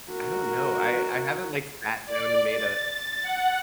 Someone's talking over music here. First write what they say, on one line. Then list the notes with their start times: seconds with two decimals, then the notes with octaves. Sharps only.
I don't know. I I haven't, like, sat down and made a
0.12 F#4 A#4
2.06 D5
2.51 A6
3.22 F#5